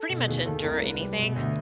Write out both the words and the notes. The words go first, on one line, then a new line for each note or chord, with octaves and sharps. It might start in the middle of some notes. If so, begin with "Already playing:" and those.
pretty much endure anything
Already playing: A4
B2
D#2 G#4
D#2 A4
C2 A#4
G#3 B4
G3
B2
D2